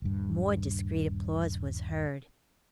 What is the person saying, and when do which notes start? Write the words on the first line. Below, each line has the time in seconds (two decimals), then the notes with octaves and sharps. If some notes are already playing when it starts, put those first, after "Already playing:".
More discreet applause was heard.
0.02 D#1 G2